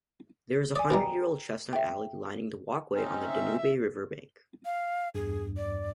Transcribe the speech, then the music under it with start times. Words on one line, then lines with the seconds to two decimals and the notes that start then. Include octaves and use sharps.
There is a hundred-year-old chestnut alley lining the walkway on the Danube River bank.
0.76 D5 G#5 D#6
0.90 B2 E3 G3 G5 A#5
1.73 E5 G5
2.94 C4 C#4 D#4
3.27 E5
4.65 F5
5.15 E2 G2 G#4
5.57 D5